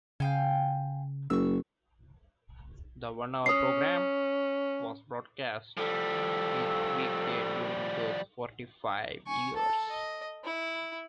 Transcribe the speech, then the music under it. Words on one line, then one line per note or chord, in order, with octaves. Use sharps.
The one-hour program was broadcast each weekday during those forty-five years.
C#3 F5 G5 G#5
F#1 C#6 E6
C#4 D#6 C7
F3 G3 A4
G#5 C#6
A4 A5
D#5
E4